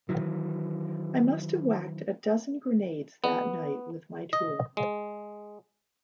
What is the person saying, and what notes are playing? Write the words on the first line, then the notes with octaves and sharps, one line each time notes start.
I must have whacked a dozen grenades that night with my tool.
D#3 E3 F#3
B3
D#5
G#3